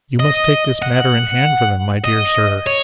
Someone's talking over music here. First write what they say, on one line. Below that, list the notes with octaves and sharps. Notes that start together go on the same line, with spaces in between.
'You must take this matter in hand for them, my dear sir.
D#5
F#5
D#5
C#5